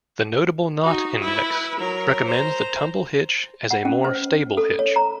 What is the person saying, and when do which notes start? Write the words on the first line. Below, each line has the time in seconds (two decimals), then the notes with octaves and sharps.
The Notable Knot Index recommends the tumble hitch as a more stable hitch.
0.83 D#4 F#4
1.19 E4 B4
1.80 F#3 A#4
2.26 C5 A#5
3.71 F#5
3.85 C#4
4.04 C5
4.57 A4
4.79 C#5
4.96 A#5